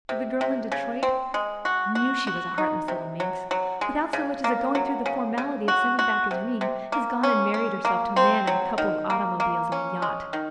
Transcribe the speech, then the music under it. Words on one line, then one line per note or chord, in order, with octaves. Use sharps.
The girl in Detroit,--I knew she was a heartless little minx,--without so much as going through the formality of sending back his ring, has gone and married herself to a man and a couple of automobiles and a yacht.
C3
C3
C#3
C4
G#3
F#4
F#4
F#4
D#4
C3
F#3
F#3
G#3
C#3
A#3
F#3
C#3
C#3
F#4
F#4
C3
C3
A#3
C#4
C#4
A#3
C4
F#3
D#3
A#3
A#3
C#4
G#3
D#3